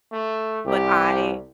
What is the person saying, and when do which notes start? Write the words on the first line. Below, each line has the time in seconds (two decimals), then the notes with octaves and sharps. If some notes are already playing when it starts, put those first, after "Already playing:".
But I,
0.12 A3
0.66 C2 G4